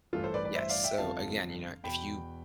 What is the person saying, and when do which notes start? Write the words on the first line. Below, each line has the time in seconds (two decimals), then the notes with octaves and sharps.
Yes. So, again, you know, if you
0.13 A1 G2 E3 F4 A4
0.23 A4 C5
0.34 B4 D5
0.45 B4 D5
0.55 C5 E5
0.69 D5 F5
0.84 E5 G5
0.98 G1 F2 D3 F3 F5 A5
1.84 E2 B2 G5 B5